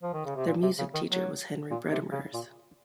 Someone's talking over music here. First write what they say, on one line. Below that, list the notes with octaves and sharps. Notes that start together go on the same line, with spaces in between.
Their music teacher was Henry Bredemers.
F3
D#3
C#3
C3
A#2
C3
C#3
D#3
F#3
A#2
C3
C#3
A#2